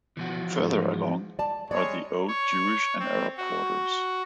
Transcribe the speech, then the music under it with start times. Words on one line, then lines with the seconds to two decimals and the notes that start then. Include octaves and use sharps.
Further along are the old Jewish and Arab quarters.
0.17 B2 E3 F3 F#4
0.58 G#2
1.39 D5 A5
1.71 G3 G#3 C#5 D5
2.28 C#5
2.99 C4
3.37 F#4